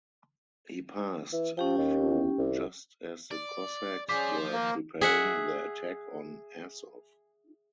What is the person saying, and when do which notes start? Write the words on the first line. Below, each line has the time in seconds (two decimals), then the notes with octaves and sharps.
He passed through just as the Cossacks were preparing their attack on Azov.
1.33 E3
1.57 F3 C#4 G4 G5
1.78 D#2
2.38 C2
3.31 D5
4.09 C#4 F4 G#4 C5 D5 D6 B6
4.53 D#3 A#3
5.01 G#4 E5 F#5